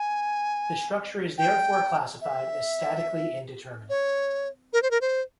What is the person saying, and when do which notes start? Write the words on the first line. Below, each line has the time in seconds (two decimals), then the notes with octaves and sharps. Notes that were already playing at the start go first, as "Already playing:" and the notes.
The structure is therefore classified as "statically indeterminate".
Already playing: G#5
1.38 G5
2.21 E5
3.90 C#5
4.73 A#4
4.82 C5
4.91 A#4
5.01 C5